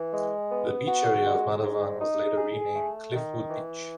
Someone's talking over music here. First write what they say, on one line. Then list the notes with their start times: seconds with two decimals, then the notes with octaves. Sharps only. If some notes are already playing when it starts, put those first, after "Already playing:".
The beach area of Matavan was later renamed Cliffwood Beach.
Already playing: E3
0.14 G#3
0.51 B3
0.88 F#4
1.26 G#3
1.63 G#2
2.01 D#4
2.38 G#4
2.75 A3
3.13 D#3
3.50 E3